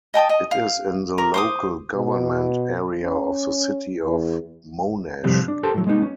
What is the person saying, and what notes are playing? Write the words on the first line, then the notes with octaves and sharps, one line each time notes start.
It is in the local government area of the City of Monash.
D#5 G5 A5 D#6
D#5
F5
A#4
C5 D6 D#6
B2
C#4
E2
F#2 A2 C3 F3 G3 C4
D4
G4 A4 A#4 C5 G5 A5
A2 F#3
G#3 A#3 B3 D#4
C#4